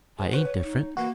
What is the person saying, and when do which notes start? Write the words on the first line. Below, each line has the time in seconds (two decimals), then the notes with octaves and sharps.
I ain't different.
0.18 G#4 C5 F#5
0.33 C#4 F#4 B4 C5
0.45 C#5
0.63 D#4
0.97 E3 A#3 F#4 A#4